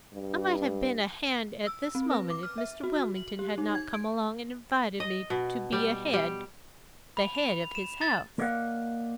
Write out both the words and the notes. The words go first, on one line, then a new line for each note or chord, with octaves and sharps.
I might have been a hand at this moment if Mr. Wilmington had not come along and invited me to be a head--the head of his house.
G2
E6
C4
B4
D6
F6
E5
F#4
F#7
G4
D#4
G#6
D7
D#5
B2
G3
G3
B5
F7
E7
A6
A#3 A#4 D5 D#5 F5 F#5